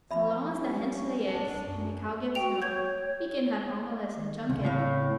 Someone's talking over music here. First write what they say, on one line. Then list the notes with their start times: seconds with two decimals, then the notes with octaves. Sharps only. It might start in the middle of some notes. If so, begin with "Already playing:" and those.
So long as the hens lay eggs and the cow gives milk we can have omelettes and junket.
0.11 F3 E5 B5
0.54 G3 C#4
1.27 D4
1.61 F#2
2.35 F#4 G5 F7
2.62 C#5 G6 G#6
4.16 D#3
4.50 C2 C#3 C4
4.65 A2 C#3 C#5 F5